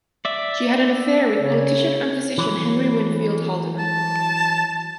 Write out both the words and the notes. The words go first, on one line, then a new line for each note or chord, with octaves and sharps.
She had an affair with politician and physician Henry Winfield Haldeman.
D5 E5
C#3 C#5
E3 F#3
A5